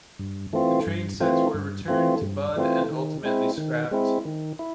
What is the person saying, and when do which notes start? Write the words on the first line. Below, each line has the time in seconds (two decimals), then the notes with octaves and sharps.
The trainsets were returned to Budd and ultimately scrapped.
0.19 G2
0.53 E3 A3 C4 F4
0.87 G2
1.20 E3 A3 C4 F4
1.54 G2
1.88 E3 A3 C4 F4
2.22 G2
2.56 E3 A3 C4 F4
2.90 D#3
3.24 G#3 C4 E4
3.58 D#3
3.91 G#3 C4 E4
4.25 D#3
4.59 E4